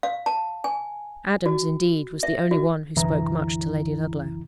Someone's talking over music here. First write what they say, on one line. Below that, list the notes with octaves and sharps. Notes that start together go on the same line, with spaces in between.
Adams, indeed, was the only one who spoke much to Lady Ludlow.
F5
A5
G#5
F#4
E5
F#4
C2 F#2 D3 E3 E4 A#5